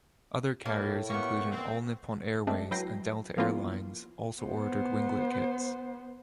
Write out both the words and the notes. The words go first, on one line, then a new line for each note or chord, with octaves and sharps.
Other carriers including All Nippon Airways and Delta Air Lines also ordered winglet kits.
A2 A#3
A#3 B3 G4 C#6
C4
G#3 A3 C4 D4
F#3 E4 B4 G5 A#6 C7
F3 A#3 B3 C#4 E4 F4
B3 C5